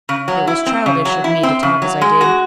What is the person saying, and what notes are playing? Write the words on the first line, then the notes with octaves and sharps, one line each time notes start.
It was childish of me to talk as I did.
C#3
F#3
E4
C4
C#3
F#3
E4
C4
C#3
F#3
G#3
F#4